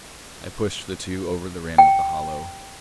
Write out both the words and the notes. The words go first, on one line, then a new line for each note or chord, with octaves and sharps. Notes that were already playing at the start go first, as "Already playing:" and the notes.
I pushed the two over the rim of the hollow.
G5